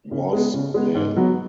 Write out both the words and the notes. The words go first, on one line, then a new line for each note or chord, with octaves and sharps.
Was there.
C#3
G#3 B3 G#4
C#3
G#3 B3 G#4
G#2
F#3 B3 F#4